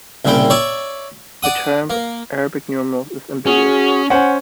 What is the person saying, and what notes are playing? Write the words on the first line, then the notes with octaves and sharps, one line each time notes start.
The term "Arabic numerals" is ambiguous.
C2 A#2 C#3 E4 G5
C#5 D5 E5
D5 F#5 D#6
A#3
C#4 F#4 G#4
C#4 C5 F#5 G#5